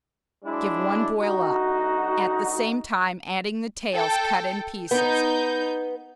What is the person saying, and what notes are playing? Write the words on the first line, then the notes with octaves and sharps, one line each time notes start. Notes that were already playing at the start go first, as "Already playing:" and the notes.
Give one boil up, at the same time adding the tails cut in pieces.
F#3 G#3 D4 E4
D2 D#4 F#4
A4 G5
B3 D#4 B4 G6